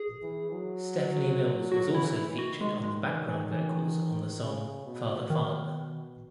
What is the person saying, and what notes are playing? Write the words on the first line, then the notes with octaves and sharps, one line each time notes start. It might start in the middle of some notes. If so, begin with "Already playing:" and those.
Stephanie Mills was also featured on background vocals on the song "Father, Father".
Already playing: G#4
E3
F#3
F#3 F#4
E4
E3
E4
D#3
F#4
G#3
G#3
E3
E3
E3
C#3
B2
B2 D#3